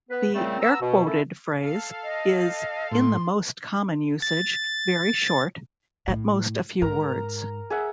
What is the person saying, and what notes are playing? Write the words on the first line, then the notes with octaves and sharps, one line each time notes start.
The air-quoted phrase is-in the most common usage-very short, at most a few words.
B3 B4
A#2 C#3 G3 A3 C4
B3 A#5 E6
B2
A3 A#3 C#4 E4 A4
A4 F5
D#5
A2 C6
A6
A2
G#2 A#4 A#5
G#4 E5 F#5